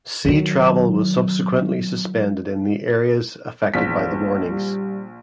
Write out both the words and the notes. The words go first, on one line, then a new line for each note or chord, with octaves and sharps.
Sea travel was subsequently suspended in the areas affected by the warnings.
D#3 F#3
A#1 E2 B6
G3